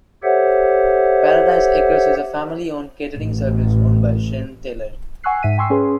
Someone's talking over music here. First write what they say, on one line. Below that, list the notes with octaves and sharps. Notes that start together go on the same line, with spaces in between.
Paradise Acres is a family owned catering service owned by Shane Taylor.
G4 A4 C5 C#5 E5 F#5
A1
F#5 G#5 C#6 E6 F#6 C7
G#2 E5 B6 D#7
G5 G#5 C6 C#6 E6 C7
C#4 G#4 B4 C6